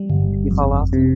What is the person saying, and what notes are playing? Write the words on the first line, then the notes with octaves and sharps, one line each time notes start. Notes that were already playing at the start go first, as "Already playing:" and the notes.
You fall off?
Already playing: G3
G1
F2
C3